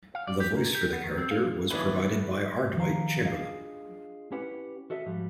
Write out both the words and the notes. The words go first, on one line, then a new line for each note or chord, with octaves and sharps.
The voice for the character was provided by Ardwight Chamberlain.
F5
D5
G4
A#3
G4
B3
D#3
C4
F5
A#1 D#2 B2 D#3 E4 G#4 B4 D5
D#3 F3 G3 F5 G5 A#5
D4 F4 G#4 D#5 F5
C#4 E4 G4 B4 F#5
F#4 A4 D#5 E5
G#2 F3 G3 F#4